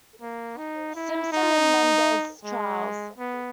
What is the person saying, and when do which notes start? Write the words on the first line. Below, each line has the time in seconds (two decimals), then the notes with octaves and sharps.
Simpson and Menendez trials.
0.21 A#3
0.57 D#4
0.96 E4
1.32 D#4
2.44 G#3
3.18 B3